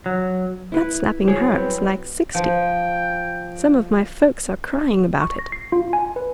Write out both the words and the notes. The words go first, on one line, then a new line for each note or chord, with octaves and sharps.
That slapping hurts like sixty; some of my folks are crying about it.
F#3
E4 B4
F#3 G#4 C#5
B3 C4
F3 G5
C#6
A#6
C7
F4
G#5
B4